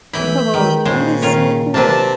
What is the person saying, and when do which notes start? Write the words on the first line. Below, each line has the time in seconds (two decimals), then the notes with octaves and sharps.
Oh, that is so cool.
0.13 B1 E3 E4 B5 G6
0.54 D#3 G#3
0.85 A#2 C#3 G#3 C5
1.22 D#3 C#4 F4
1.74 C3 A#3 C4 D4 B4 A5